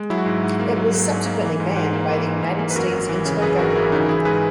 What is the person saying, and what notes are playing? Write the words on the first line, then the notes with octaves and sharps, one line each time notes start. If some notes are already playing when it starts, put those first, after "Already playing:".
It was subsequently banned by the United States Insular Government.
Already playing: G#3
F#3 E4
F#4
G#2 E4
G#2
A#3
F#3
G#2
G#2
A#3
E3
G#2
G#2
A#3
E3
G#2
G#2
A#3
B4
F#2 F#4 A#4
G#1
E3
C#3
F#2 G#4 B4
G#1 F#4 A#4
A#4
E3 E4 G#4
C#3 D#4 F#4
E3 E4 G#4
G#2 G#4 B4